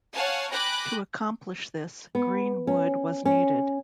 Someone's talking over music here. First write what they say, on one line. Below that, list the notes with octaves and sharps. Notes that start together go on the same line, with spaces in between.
To accomplish this, green wood was needed.
C#5 F5 F#5 G#5 A5
G5 G#5 B5 D6 F#6 A#6
B3
C#4
C#4